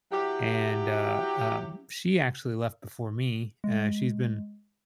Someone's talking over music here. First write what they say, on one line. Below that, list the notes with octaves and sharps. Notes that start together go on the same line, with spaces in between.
And, uh um, she actually left before me; eh, she's been
F#3 E4 G4
G#3